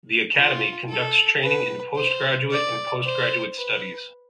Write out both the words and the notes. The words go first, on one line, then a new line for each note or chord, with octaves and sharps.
The Academy conducts training in postgraduate and postgraduate studies.
F4
A4
B4
C5
D5
C5
B4